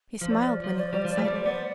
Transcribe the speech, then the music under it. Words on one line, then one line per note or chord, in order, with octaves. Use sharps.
He smiled when he caught sight of her.
F3 C5
D5
C5
D5
C5
F3 D5
C5
D5
C5
G3 D5
F3 C5
D5
A3 C5
G3 D5
C5
B3 D5
C5